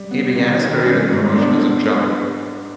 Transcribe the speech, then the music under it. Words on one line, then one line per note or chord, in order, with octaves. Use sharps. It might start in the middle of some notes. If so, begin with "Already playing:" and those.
He began his career in the promotion as a jobber.
Already playing: G3
B3
D#3
D#3
G3 C#4
G#2
B3 D4